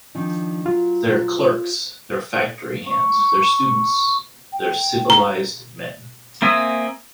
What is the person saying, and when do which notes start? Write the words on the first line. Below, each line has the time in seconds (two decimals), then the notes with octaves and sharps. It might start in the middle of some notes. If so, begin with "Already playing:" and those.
They're clerks, they're factory hands, they're students, they're civilised men.
0.15 D#3 F3 D4
0.66 F#3 F4
2.87 C#6
4.53 G5
5.10 A#5
6.42 A#3 C4 E5 G#5 D#6